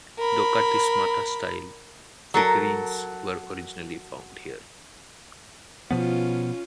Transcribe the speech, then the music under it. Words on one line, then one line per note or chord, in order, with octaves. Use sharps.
'Dokathismata style' figurines were originally found here.
A#4 B5
F#3 A4 A#4
B2 F3 B3 C#4 F4